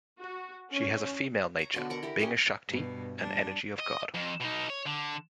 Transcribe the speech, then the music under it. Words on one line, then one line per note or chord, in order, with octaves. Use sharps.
She has a female nature, being a shakti, an energy of God.
F#4
C#4
C#5 A#5
B2 D3 A4 A5
A#4 F#5 A#5
E4 G4 A#4
C#4 G4 A#4 D#5
G2 B2
G3 D4
D#5
F2
B2 D#4
C#5
D3